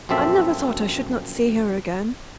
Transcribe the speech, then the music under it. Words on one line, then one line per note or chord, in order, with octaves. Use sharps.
I never thought I should not see her again.'
A#1 F#2 C4 A4 E5